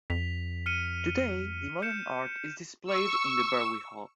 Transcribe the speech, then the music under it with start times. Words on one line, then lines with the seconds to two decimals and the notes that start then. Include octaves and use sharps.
Today the modern art is displayed in the Verweyhal.
0.10 F2 B6 F7
0.66 F6 C#7 D#7
1.82 G6 C#7 E7
2.84 C#6 E6